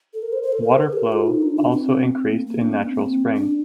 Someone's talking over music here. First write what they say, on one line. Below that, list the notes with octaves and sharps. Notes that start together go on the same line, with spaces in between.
Water flow also increased in natural springs.
A4
A#4
C5
C5
A4
A#4
C5
A#4
G4
A4
F4
D#4
D4
D4
C4
A#3
A#3
D4
C4
A#3
C4
D4